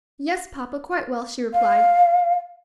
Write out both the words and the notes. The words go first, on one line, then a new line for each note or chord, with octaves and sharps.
"Yes, papa, quite well," she replied.
F5